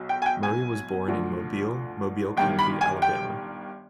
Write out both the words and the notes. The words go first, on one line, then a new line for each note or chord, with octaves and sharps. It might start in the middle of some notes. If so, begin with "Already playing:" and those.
Murray was born in Mobile, Mobile County, Alabama.
Already playing: B1 B2
G5
G#5
G5
G#5
D2 D3 F3
G1 G2 D#3 G5
B5
G#5
G5